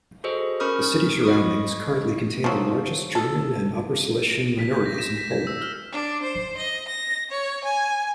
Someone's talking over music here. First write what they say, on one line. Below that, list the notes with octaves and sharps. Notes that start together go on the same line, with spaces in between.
The city surroundings currently contain the largest German and Upper Silesian minorities in Poland.
F#4 G#4 A4 C5 D#5
C#4 A#4 B5 C#6 D#6 F6
D#5 B5 C#6 D#6
F3 F#3
A4
B6
G6
A#6
E7
B6
G#6
E6
F6
D4
C5
D#5
A#6
C#5
G#5